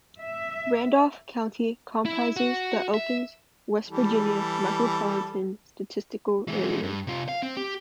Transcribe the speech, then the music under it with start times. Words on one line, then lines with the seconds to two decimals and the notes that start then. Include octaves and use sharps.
Randolph County comprises the Elkins, West Virginia, Micropolitan Statistical Area.
0.20 E5
2.05 E4
2.36 F#4
2.94 E5
3.88 E3 G3 A4
6.48 E3 G#3
6.83 G2
7.07 C3 F4
7.29 F5
7.42 C4
7.57 G4